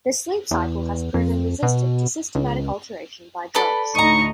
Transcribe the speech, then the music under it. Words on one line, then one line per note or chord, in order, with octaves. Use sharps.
The sleep cycle has proven resistant to systematic alteration by drugs.
E2
F2
B2
C#2
A4 B4 D5 B5
D2 A2 D#4 D#5 A#5 C#6